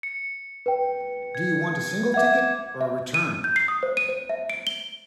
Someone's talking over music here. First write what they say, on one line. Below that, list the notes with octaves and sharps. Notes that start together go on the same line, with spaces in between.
Do you want a single ticket, or a return?
C#7
B4 G5
G#6
E5 F#5 D6 G#6
E5
D#7
G6
C7
D#6
C5
D#7
C5
E5
D7
G7